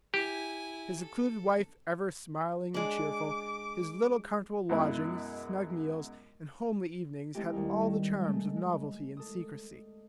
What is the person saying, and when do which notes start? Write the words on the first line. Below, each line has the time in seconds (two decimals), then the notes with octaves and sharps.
His secluded wife ever smiling and cheerful, his little comfortable lodgings, snug meals, and homely evenings, had all the charms of novelty and secrecy.
0.14 E4 G4 G#5
0.99 A4
2.74 G#3 D4 D6
4.69 F#2 B2 G#3 E4
7.35 G#3 A3 C4 D#4 E4 G4
7.53 D#2 G3 D#4
7.82 E7
8.24 G#3 A3
8.56 G#3
9.17 A4 D#6